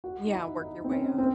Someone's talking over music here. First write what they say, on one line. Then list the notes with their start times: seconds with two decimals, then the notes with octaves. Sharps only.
Yeah, work your way up.
0.04 F#4
0.27 D#4
0.33 E4
0.61 D#4
0.84 C4
0.90 C#4
1.18 C4